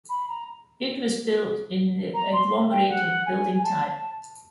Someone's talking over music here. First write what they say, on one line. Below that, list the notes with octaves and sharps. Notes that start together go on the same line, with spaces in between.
It was built in the "agglomerated building type".
B5
A#5
A#5
C6
G5
F#5
G#5
A5
A5